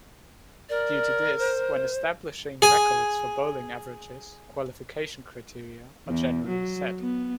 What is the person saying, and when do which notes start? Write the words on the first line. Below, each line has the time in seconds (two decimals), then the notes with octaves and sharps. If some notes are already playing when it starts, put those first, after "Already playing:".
Due to this, when establishing records for bowling averages, qualification criteria are generally set.
0.69 A#4 D5
1.39 C5
2.62 G#4 G#5
6.08 E2
6.48 F#3
7.00 B3